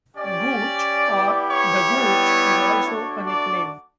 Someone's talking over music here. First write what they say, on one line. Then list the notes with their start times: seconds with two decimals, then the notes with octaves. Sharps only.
Gooch or the Gooch is also a nickname.
0.16 C#4 G4 D5
1.05 B3 E4 G4
1.49 C#5
1.94 G3 B3 E4 G4
2.83 A3 D4 F#4
3.27 D5